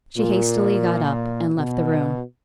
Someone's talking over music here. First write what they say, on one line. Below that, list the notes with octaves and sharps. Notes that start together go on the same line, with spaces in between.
She hastily got up and left the room.
A#2
B2